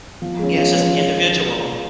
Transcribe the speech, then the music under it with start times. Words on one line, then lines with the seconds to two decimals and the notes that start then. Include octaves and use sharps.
Yeah, it's just the individual.
0.22 F3
0.39 G#3 C#4
0.57 F3
0.75 G#3 C#4